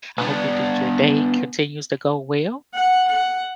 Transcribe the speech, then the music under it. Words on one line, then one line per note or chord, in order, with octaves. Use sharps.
I hope your t your day continues to go well,
B3 D4
F#5
F#5